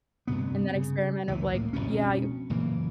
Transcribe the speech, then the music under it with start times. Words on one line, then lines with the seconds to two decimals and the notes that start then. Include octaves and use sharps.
and that experiment of like yeah, you
0.27 D2 G2 C3 B3
0.68 C#3
1.28 F#1 C#2 E3
1.53 A2 A#3
1.73 F1 B1 B2 C#4
2.50 F#1 A#2 E3 A#3